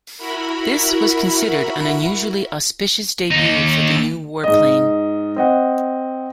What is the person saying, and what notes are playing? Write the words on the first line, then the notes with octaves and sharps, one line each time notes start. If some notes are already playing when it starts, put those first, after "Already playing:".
This was considered an unusually auspicious debut for the new warplane.
E4 F#4 A#4 B5
D#2 D#4
G#2 D#5
C4 D#5 F#5